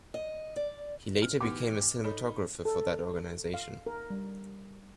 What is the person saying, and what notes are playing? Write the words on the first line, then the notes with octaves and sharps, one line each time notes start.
He later became a cinematographer for that organization.
D#5
D5
F6
E3 B3 D#4 G4 D6
D#4 A4 C#5 B5
A4
F5
A#4
G3